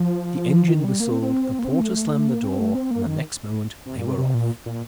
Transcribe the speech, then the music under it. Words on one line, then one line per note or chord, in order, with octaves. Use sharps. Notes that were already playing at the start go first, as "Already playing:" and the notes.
The engine whistled, the porter slammed the door, and the next moment they were off.
Already playing: F3
D#3
G3
A#3
C4
C4
A#3
C4
A3
A#3
C4
A3
C4
A#3
D#3
C3
A#2
C3
C3
A#2
A#2